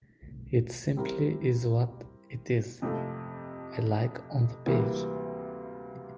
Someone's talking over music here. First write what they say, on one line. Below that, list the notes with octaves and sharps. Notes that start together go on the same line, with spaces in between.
It simply is what it is... a like on the page.
G3 C4 E4 G4 A#4
F2 C3 F3 A3
D2 C3 E3 G3 A#3